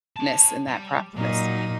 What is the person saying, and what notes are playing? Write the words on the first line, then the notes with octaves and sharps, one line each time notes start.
ness and that process.
C#5 A5
G3
A#2 F#3 D#4